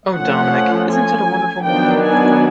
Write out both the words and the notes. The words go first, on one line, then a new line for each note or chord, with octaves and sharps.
Oh, Dominic, isn’t it a wonderful morning?
F3 A3 C#4 F#5
G#5
D#3 F#3 B3 D4 G5
G#5